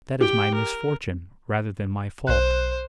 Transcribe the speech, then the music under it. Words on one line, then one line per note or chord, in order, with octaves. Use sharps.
"That is my misfortune, rather than my fault."
G4 G5
A#4
B1 C5 F#6